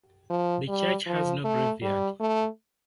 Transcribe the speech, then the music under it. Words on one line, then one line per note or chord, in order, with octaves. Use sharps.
The church has no graveyard.
F3
G3
F3
A3
G3
A3